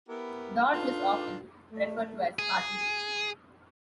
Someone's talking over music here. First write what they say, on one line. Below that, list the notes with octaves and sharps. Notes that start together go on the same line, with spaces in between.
Dodge was often referred to as Hartley.
B3 E4 G4 A#4
D4 D#4 F4 A4 B4
A3
G#4